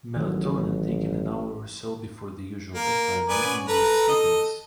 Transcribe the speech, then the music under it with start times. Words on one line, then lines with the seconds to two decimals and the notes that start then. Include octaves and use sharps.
Melatonin taken an hour or so before the usual bedtime may induce sleepiness.
0.16 A1 D#3 F#3
2.75 A#3 A#4
3.29 B3 D5 G#5
3.43 C#4
3.68 A4 B4 A#5
4.09 D#5